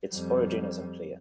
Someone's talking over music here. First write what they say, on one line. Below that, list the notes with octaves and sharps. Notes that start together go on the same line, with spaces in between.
Its origin is unclear.
F2 G3